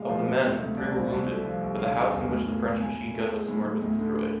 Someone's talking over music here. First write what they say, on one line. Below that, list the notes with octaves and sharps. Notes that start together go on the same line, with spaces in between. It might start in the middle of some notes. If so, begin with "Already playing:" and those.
Of the men, three were wounded, but the house in which the French machine gun was stored was destroyed.
Already playing: A2 G#3 F5
F3
C3
D2
D2
C2 D5
C2 C5
C2 D5
A3
F3
C2
D3 F5
D3
E2
A2
A2
A2
A2 G#5
A2
A3
G#3
A2
A2
D2
D3